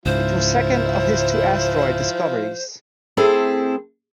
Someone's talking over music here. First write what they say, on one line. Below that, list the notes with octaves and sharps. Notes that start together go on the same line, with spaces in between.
It was second of his two asteroid discoveries.
C#2 G#2 F3 E4 C5
A3 C4 E4 G#4 A4 C5